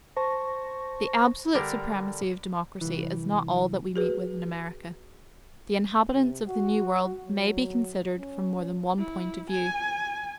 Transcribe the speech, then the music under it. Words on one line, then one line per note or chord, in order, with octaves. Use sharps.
The absolute supremacy of democracy is not all that we meet with in America; the inhabitants of the New World may be considered from more than one point of view.
C5 A5 C#6 A#6
D3 G3 D4 A#4
C2 E3
F#4 G#4 B4
C3
F#4
F#3
C#4
E4
G#5